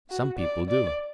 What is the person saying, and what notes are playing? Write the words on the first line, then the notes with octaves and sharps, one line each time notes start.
Some people do.
F#4
D5
D5